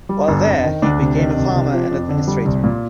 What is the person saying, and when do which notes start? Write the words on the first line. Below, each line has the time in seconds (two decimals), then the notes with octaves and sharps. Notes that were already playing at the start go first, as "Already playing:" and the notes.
While there he became a farmer and administrator.
0.09 G3
0.28 G1 D4
0.46 F2
0.64 D#3
0.82 D2 D4
1.00 C3
1.18 D#3
1.37 C2
1.55 C3
1.73 F3
1.91 F2
2.09 D3
2.27 G3
2.45 C2
2.64 A#2